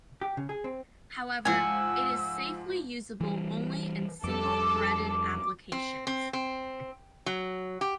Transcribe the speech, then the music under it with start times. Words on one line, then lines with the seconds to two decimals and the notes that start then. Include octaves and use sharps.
However, it is safely usable only in single-threaded applications.
0.21 G4
0.37 C#3
0.49 G#4
0.64 C4
1.45 G#2 F3 F#5 G#5 E6
3.21 E3 G3
4.24 F2 G3 A4 D6
5.72 C4
6.07 C4
6.33 C4
7.26 F#3
7.81 G4